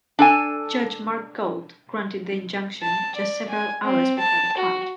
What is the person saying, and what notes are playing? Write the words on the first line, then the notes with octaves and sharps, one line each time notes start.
Judge Marc Gold granted the injunction just several hours before the fight.
D4 A4 G#5
A5
D5
G#5
C4
A5
F#4